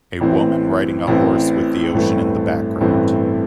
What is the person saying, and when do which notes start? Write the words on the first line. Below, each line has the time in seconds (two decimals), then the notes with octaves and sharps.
A woman riding a horse with the ocean in the background.
0.21 A1 A2 E3 C4
1.07 A1 A2 E3 C4
1.94 A1 G2 E3 A3 C4
2.81 A1 G2 E3 A3 C4